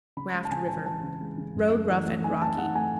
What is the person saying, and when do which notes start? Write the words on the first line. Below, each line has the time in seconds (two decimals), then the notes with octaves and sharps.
Raft River.--Road rough and rocky.
0.17 C#3 B5
0.34 G#3
0.45 A5
0.51 C#3 G#5
0.68 E3 A5
0.86 E3 A5
1.03 C#3
1.21 G#3
1.38 C#3
1.55 F#2
1.72 A3
1.89 E3
2.06 A3
2.24 D#4 G#5
2.41 A3 A5
2.58 D#4 F#5
2.75 A3 G#5